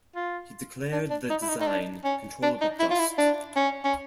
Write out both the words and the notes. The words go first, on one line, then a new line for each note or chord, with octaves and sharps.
He declared the design controllable-just.
F4
D4
D4
D#4
E4
D#4
D#4
D4
C#4
D4
D#4
E4
F4
E4
D4
C#4
C#4